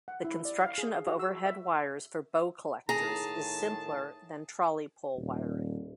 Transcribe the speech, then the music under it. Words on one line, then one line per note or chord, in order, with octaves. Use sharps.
The construction of overhead wires for bow collectors is simpler than trolley pole wiring.
F#5
E4
D5
F5
G#4
F#4
E6
E5
A2 D#3 G#4 A5 A#5
D#1